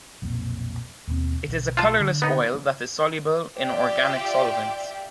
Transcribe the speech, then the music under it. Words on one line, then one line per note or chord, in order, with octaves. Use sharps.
It is a colorless oil that is soluble in organic solvents.
B1 F2 A#2
D#2 B2 C4
B1
F4 A5
D3
B3 D#4
F4 G4 D5 E5 F5 G5